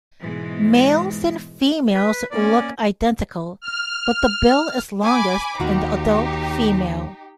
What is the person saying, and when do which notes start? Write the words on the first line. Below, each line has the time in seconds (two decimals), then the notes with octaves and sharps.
Males and females look identical, but the bill is longest in the adult female.
0.22 G#2 B2 E3 G#3
1.94 B4
2.31 A#3 C#4 D5
3.60 F6
5.04 G#5 B5 D6
5.60 D#2 D#4 F#4 G4